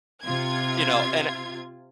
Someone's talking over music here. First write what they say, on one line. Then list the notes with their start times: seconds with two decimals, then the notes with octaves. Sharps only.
you know and
0.22 C3 F4 G#6